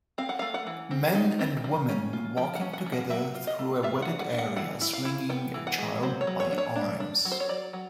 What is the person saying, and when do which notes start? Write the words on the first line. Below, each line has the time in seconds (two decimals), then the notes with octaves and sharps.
A man and woman walking together through a wooded area swinging a child by arms.
0.18 C4 F5
0.29 F#5
0.39 A3 F5
0.54 F#5
0.67 E3
0.91 C4
1.15 D#4
1.39 C4
1.64 F3
1.89 C#4
2.13 F4
2.37 F3 G5
2.55 F#5
2.61 C#4
2.73 F#5
2.86 F3
2.92 F#5
3.10 F#3 E5
3.35 F4
3.47 D#5
3.59 A3
3.83 F4 E5
4.02 F#5
4.08 D4
4.20 F#5
4.32 D4
4.38 F#5
4.56 E3 F#5
4.81 E4
4.93 F5
5.05 E4
5.29 B3 G5
5.54 E3
5.67 F#5
5.78 G#3
6.03 F#3 C5
6.21 C#5
6.27 F#3
6.40 C#5
6.52 D4
6.58 C#5
6.76 D4
7.00 D4
7.25 F#3
7.32 C5
7.40 C#5
7.49 F#3 D5
7.73 F#3